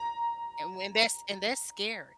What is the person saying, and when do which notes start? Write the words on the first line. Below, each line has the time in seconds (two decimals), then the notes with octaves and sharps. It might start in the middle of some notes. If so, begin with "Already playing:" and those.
and when that's and that's scary.
Already playing: A#5